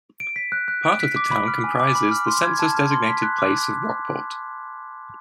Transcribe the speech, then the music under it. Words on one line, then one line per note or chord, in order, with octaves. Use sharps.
Part of the town comprises the census-designated place of Rockport.
D7
B6
F#6
F#6
D7
B6
D6
B5
F6
G#5
D6
B5
F6
C6
G#6
A5
F6
C6
B6
F#6
D6
D6